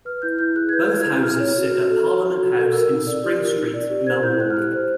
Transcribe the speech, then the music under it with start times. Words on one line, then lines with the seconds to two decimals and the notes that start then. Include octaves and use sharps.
Both houses sit at Parliament House in Spring Street, Melbourne.
0.05 B4 F6
0.22 E4 G6
0.39 E4 G6
0.55 G#4 F#6
0.69 G#6
0.73 B4 G6
0.90 E4 G#6
1.01 G#6
1.06 E4 G6
1.23 G#4 F6
1.40 C#5
1.57 F#4
1.72 F#4
1.89 A4
2.06 C#5
2.23 F#4
2.39 F#4
2.57 A4
2.73 A#4 E6
2.90 D#4
3.07 D5
3.24 G4
3.40 A#4
3.56 D#4
3.74 D5
3.89 G4
4.06 C5 G#6
4.23 E4 G6
4.40 E4 F#6
4.50 F6
4.57 G4 F#6
4.73 C5